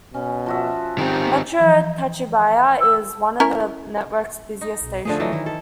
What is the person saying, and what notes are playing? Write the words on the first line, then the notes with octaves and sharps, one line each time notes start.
Metro Tacubaya is one of the network's busiest stations.
B2 C#4
F3 F#4 E5
D#3 C4 G4
E3 F3
E6
C#4 E4 A#4
D#4
B1
D3 F3 A3 G#4
E3 F#3 D#4
D#3 E4
A4